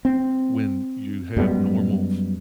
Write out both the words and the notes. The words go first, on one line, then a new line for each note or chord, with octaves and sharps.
when you have normal f
C4
F#2 G3 G#3 B3